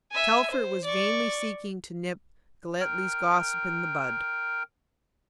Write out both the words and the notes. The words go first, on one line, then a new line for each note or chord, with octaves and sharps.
Telford was vainly seeking to nip Galletly's gossip in the bud.
E5 G#5
C5
D5 C#6
A#4 G5